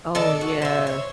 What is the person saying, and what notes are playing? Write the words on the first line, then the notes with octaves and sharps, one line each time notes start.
Oh, yeah.
D#3 A4 D5
F#4
C5 E5
C#5